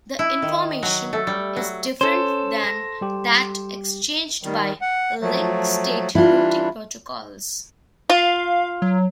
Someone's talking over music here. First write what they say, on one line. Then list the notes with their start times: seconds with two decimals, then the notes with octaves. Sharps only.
The information is different than that exchanged by link-state routing protocols.
0.19 E4
0.42 D#3
0.83 F#3
1.13 A3
1.27 G3
1.56 F#3
2.01 C#4 A4 C5 C#5
2.64 A#6
3.01 G3 G4
4.43 D#3 G3
4.81 F#5
5.21 F3 F#3 A3
6.15 E3 G3 D4 E4 F4
8.10 F4 F5
8.82 F#3